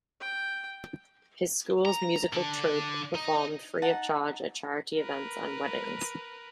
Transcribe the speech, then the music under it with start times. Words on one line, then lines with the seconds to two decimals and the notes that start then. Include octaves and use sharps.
His school's musical troupe performed free of charge at charity events and weddings.
0.20 G5
1.85 A#5
2.33 D3 D4
3.15 D#4
3.82 D#4 F#5 A5
4.96 A#4 B4